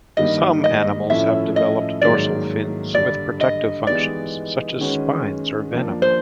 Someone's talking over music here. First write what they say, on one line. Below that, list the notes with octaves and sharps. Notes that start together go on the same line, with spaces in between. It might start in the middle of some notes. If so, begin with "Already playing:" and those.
Some animals have developed dorsal fins with protective functions, such as spines or venom.
G2 D#3 G3 A#3 D#4 D#5
D#5
A2 F3 A3 C#4 E4 E5
D#5
G#2 D#3 F#3 A#3 D5
G2 D3 G3 D5
D#5
E3 G#3 B3 D#4 G4 D5
D#3 G#3 C#4 F#4 B4
F3 A#3 D4
C5